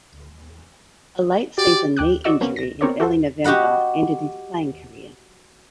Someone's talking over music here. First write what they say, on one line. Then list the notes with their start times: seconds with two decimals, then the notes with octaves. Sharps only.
A late season knee injury in early November ended his playing career.
1.58 F#4 G4 D5
1.97 D#2 G5 D6 F#6
2.24 F#4 D5 D#5 C#6 E6
2.41 F#3 A#3 B3 C#4
2.56 A#6
2.81 B3 C4 A#4 C#5 D5
3.00 F#4 A4 C5
3.44 F#4 G4 D#5 F#5 B5